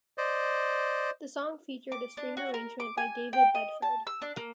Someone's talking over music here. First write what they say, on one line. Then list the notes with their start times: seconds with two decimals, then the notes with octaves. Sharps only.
The song featured a string arrangement by David Bedford.
0.18 C5 D5 D#5
1.92 D6
2.17 D4
2.37 F#4
2.54 A#4
2.80 D6
2.98 G#5
3.33 G5
3.55 D#5
3.82 A5
4.07 E6
4.22 D4
4.37 A#3